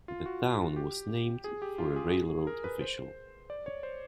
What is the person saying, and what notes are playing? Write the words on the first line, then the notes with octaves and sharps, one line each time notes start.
The town was named for a railroad official.
F4
F#4
G4
G#4
G4
F4
G#4
A#4
B4
C5
D5
C#5
C5